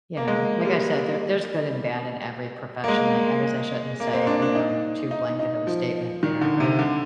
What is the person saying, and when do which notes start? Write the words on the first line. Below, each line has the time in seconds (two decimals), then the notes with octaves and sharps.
you know. Like I said, there there's good and bad in every profession, I I guess I shouldn't say, you know, too blanket of a statement there, but
0.17 A#3
0.28 G#3
0.65 G3
2.84 A#3
2.88 G#3
4.00 A#3
4.13 C4
4.27 D4
4.42 D4
4.55 D#4
5.11 D#4
5.39 D#4
5.67 F3
6.23 D#3
6.41 D3
6.60 C3
6.79 D3